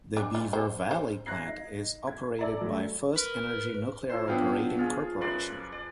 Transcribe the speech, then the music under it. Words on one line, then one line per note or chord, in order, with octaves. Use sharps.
The Beaver Valley plant is operated by FirstEnergy Nuclear Operating Corporation.
D4
F4
C5
C5
F5 A#5 F#6 G#6 A#6 C7
D#4
G#6
A4 D5 A#5
F#3 G3 A3
A#4 B4
F3 E4 C5 C6
F#3 B3 D4 F5 G5 D6
F4 G#4
F#2 B4 D5 C6
D5